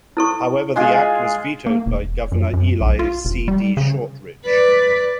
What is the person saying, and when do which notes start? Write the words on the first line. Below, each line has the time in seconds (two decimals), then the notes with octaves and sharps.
However, the act was vetoed by Governor Eli C. D. Shortridge.
0.17 E4 A4 C#6
0.76 G#3 F4 G#4 D#5 F5 G#5
1.66 A#3
1.86 E1
2.32 F#2
2.53 F#2
2.81 B1
2.99 F4
3.25 F1
3.48 G3
3.77 C#3
4.45 B4 D5